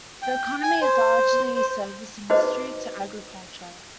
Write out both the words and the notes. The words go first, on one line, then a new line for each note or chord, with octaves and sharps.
The economy is largely service industry to agriculture.
G5
G#5
C5
C5
D#4 F#4 G#4 B4 C5 D#5